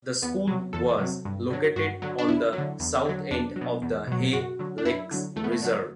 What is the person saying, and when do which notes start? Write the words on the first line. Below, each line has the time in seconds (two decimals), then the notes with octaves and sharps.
The school was located on the south end of the Hay Lakes reserve.
0.22 E2 B3
0.47 C3 F#3
0.73 E2 A4
0.99 C3 F#3
1.25 G2
1.50 D3 F#3
1.76 G2 F#4
2.02 D3 F#3
2.18 D4
2.28 E2 E4
2.53 F#3
2.58 D3
2.80 E2
3.05 D3 F#3
3.31 E2 D4
3.56 F#3
3.61 B2
3.82 E2
4.07 B2 F#3
4.33 F#2 F#4
4.59 D3 F#3
4.78 D4
4.85 F#2 E4
5.11 D3 F#3
5.36 E2 A3
5.44 B3
5.52 A3
5.62 D3 F#3